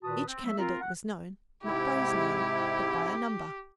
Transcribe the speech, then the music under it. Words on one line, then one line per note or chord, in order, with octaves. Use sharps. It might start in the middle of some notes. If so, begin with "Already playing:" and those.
Each candidate was known, not by his name, but by a number.
A#2 D#3 F#4 B4 A5 D#6
C4
F#3 A3 B3 E5
C4 F4 A#4
F#5
G#2 C3 E4 G4